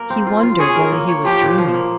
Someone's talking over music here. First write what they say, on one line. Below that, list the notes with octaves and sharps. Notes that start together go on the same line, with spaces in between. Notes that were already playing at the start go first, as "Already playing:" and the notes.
He wondered whether he was dreaming.
Already playing: A#3 A#4
C4
F4
F4
G#4 C#5
A#4
A#3
C#5
F3 G4
A#2
F3
A#3